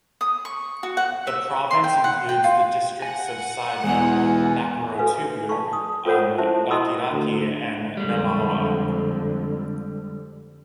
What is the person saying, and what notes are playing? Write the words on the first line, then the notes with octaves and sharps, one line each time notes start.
The province includes the districts of Saivou, Nakorotubu, Rakiraki, and Nalawa.
D#6
C#6
F#4
F#5
E5
C6
G5
F#5
G5
F4
F#5 G#5
E2 B2 G#3 G#5
F#4 A4 B4 F5 G#5
D5 F5 A5 B5 C#6
D#6
F4 A4 A#4 C5 C#5 F#5
C#4 E4 G4 C5 E5 A5
E4 F#4 D#5 C6 D#6 E6
D2
F2 D3 G3 G#3